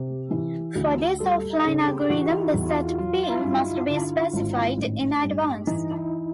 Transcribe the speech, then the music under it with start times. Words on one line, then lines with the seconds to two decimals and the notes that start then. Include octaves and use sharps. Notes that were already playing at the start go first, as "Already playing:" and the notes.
For this offline algorithm, the set "P" must be specified in advance.
Already playing: C3 G4
0.31 E3
0.75 D2
1.20 G3 A4
1.65 C#3 G#4
1.87 G4
2.10 E3 F#4
2.29 D#4
2.40 E4
2.54 E2
2.69 F4
2.98 F#3 F4
3.23 F4
3.28 E4
3.44 G2
3.58 D#4
3.88 D3
4.33 G#1
4.78 A1
5.23 G2
5.67 E3 D#4
5.91 E4
5.97 D#4